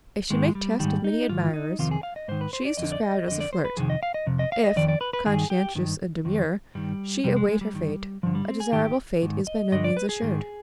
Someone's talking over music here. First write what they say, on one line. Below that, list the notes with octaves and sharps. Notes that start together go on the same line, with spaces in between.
If she make test of many admirers, she is described as a flirt; if, conscientious and demure, she await her fate, a desirable fate is by no means assured.
G#2 D#3 G#3
G3
G#2 D#3 G3
D#4
G#2 D#3 F4
D#4
F2 C3 D#3 F4
G#4
F5
D#5
G#2 D#3 C5
B4
C5
D5
F2 D3 D#5
D5
D#5
F2 D3 D#5
D5
C5
B4
F2 C3 D#3 G#4
D#5
F5
D#5
F2 C3
D#5
F5
D#5
F2 D#3 D5
D5
B4
B4
G2 D#3 G#4
G4
G2 D#3
F2 D#3
G2 D#3 G3
F2 C3 G3
G#3
G#3
G3
G2 D#3
G2 D3 F3
G3
C4
G#4
G#2 D#3 G4
G4
G#2 D#3
D#5
G2 D3 D#5
D5
B4
G#4
G#2 D#3